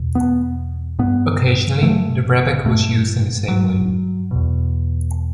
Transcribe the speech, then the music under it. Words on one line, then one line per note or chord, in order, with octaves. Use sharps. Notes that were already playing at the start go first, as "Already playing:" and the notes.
Occasionally, the rebec was used in the same way.
Already playing: E2 B2
B3
G2 B3
A3
G2 A3
F#3
E2 B2